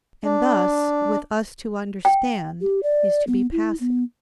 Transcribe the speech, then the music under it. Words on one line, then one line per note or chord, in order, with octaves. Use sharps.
And thus with us to understand is to be passive.
D4
G5
G4
D5
B3
E4
B3